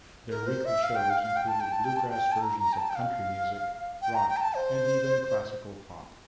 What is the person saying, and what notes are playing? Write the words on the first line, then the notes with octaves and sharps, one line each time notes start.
Their weekly shows included bluegrass versions of country music, rock, and even classical pop.
A#4
C5
E5
F5
G5
F5
F5
G5
A5
G5
A5
G5
A5
G5
A5
A#5
A#5
G5
A5
G5
F5
G5
A#5
G5
A#5
A5
C5